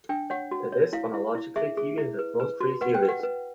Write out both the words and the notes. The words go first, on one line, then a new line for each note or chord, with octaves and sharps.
That is, phonologically Tiwi has at most three series.
D4 G5
C#5 F#5
F#4
C#5
E4 F5
E4
E4
G#4 E5
G#4
E4
B4
B4
F#4
B4 F#5
G5
B4
F#5
B4